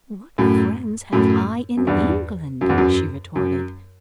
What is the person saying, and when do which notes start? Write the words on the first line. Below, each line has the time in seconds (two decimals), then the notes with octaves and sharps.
"What friends have I in England?" she retorted.
0.38 F#2 A2
1.12 F#2 A2
1.77 F#2
1.87 E2 G2
2.61 F#2
2.69 E2
2.78 F#2
3.36 F#2